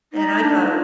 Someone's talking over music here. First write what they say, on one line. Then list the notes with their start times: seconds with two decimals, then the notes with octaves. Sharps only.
and I thought,
0.13 D#4
0.41 D4
0.67 F4